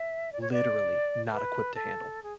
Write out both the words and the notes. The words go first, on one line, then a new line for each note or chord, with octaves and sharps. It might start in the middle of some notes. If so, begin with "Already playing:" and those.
literally not equipped to handle,
Already playing: E5
D5
C#5
D5
B4
A4
G#4